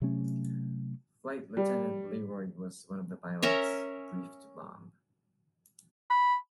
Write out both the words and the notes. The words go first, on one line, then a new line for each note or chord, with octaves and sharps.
Flight Lieutenant Learoyd was one of the pilots briefed to bomb.
C3 F#3 A3 C#4
G3
C#4 A#4 E5
B5